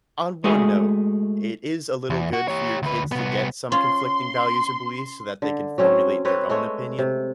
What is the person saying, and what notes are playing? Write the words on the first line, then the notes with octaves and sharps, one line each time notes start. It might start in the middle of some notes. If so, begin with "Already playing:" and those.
on one note, it is a little good for your kids to get some conflicting values or beliefs so, that they can formulate their own opinion,
G#3 A3 F#4 G#4
E2
F#4
G4 C#5
D2 B4
C2 B3
C#4 F4 C6
D3
F#3 C4 C#4
C4 B4 C#5
G#3 A3 C#5
C3